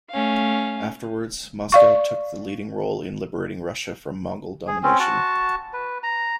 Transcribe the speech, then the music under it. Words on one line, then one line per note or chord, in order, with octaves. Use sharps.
Afterwards, Moscow took the leading role in liberating Russia from Mongol domination.
A3 C#4 F5
D5 F5 C#6
G#4
C4 C#4
F#4 A5
B4
A#5